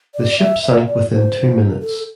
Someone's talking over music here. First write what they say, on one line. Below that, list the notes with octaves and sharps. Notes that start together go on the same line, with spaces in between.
The ship sank within two minutes.
D5
E5
E5
D5
C5
A4